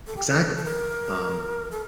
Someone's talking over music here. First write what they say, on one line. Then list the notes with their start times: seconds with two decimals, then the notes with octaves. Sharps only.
Exactly. Um,
0.07 A4
0.17 G4
0.27 A4
0.56 A4
0.64 A#4
1.71 A4